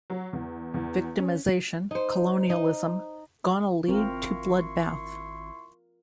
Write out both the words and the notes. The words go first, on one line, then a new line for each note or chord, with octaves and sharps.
Victimization, colonialism, gonna lead to bloodbath'.
F#3
E2
E2
C#4
D#4 C5
D#4
G#1 C4 E4 F4 A#4 C6 C#6